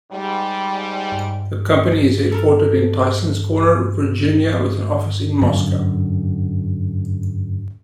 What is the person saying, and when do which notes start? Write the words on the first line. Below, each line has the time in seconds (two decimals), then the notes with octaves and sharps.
The company is headquartered in Tysons Corner, Virginia with an office in Moscow.
0.11 G#2 G3
2.32 A4 A#4
5.42 F#2 D3